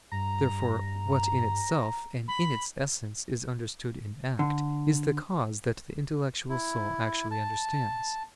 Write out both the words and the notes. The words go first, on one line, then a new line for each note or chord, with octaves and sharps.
Therefore what in itself and in its essence is understood in act, is the cause that the intellectual soul actually understands.
G2 A#5
B5
D3
E4
A5